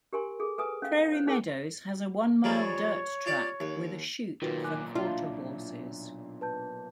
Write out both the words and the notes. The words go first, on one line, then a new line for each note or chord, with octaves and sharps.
Prairie Meadows has a one-mile dirt track with a chute for quarter horses.
G4 A#4 G#5 C6
G#4 A4
A4 B4 G#5 D#6
C#4 F5
C5 C#5
C#4 D#4 G#4 A#4 C5
F2 G3 G#3 C#5
F4 G4 D5
D#2
B1 A#2 D#3 F4 F#4 B4
G#5 D6 F#6
D4 F4 E5
B4 A5 G6